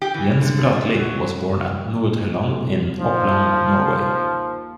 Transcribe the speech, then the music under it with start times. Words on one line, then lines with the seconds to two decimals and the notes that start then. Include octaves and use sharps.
Jens Bratlie was born at Nordre Land in Oppland, Norway.
0.02 G4
0.14 E3
0.41 D3
0.73 A#2
0.94 F#3
2.42 D1
3.00 D#2 F3